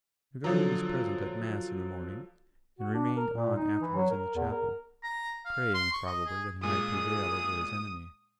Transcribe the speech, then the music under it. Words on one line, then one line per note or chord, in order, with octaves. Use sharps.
De Gondi was present at Mass in the morning and remained on afterwards in the chapel, praying, probably, that he might prevail over his enemy.
D3 F3 F#3
F#4
D4
A#4
A#2
D#4
E3
F#3
A#4
E2
A#4
A#5
F5
C6
C#6
D#5
G#4
A#2 G#3 G#4 D#6